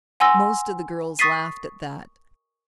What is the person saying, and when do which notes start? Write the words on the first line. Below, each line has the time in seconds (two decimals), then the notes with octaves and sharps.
Most of the girls laughed at that.
0.20 F#5 G#5 C6 E6 A#6
1.19 C#6 D#6 A6 B6 C7 D#7